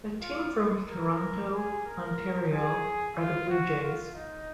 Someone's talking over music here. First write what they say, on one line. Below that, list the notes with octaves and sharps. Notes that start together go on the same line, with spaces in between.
A team from Toronto, Ontario, are the Blue Jays.
F4
A#4
G#4
A#4
G#4
F4
F#4
F4
D#4